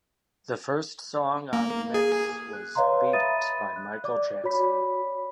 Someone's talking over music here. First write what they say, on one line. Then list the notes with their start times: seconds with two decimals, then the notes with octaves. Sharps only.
The first song on "Mix" was "Beat It" by Michael Jackson.
1.53 A#3
1.94 G#4
2.53 F#6
2.75 B4 C#5 D#5 F5 A#5 C6
3.13 E5 B5 D#6 A6 D#7
3.76 F#6
4.04 D5 D6
4.44 F#4 C#5 B5 B6